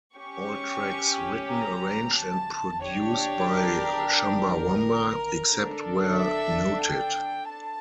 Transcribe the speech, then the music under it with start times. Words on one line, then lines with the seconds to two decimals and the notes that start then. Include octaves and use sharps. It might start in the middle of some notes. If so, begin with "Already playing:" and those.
All tracks written, arranged and produced by Chumbawamba, except where noted.
0.16 C#4 G4 C#6
1.49 A#5
2.15 A5
2.83 D4 G4 C#5
3.49 A#4
4.16 A#4
5.49 D4 A4
6.16 E5
6.82 G5
7.48 A5